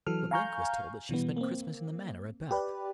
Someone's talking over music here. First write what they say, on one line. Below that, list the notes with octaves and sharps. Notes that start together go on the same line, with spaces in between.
"But Link was told that she spent Christmas in the Manor at Bath."
E3 F#3 A4 F6
F5 G#5 A#5 C#6 F6 G6
B2 E3 G3 B3
A#3 C4
G4 B4 D5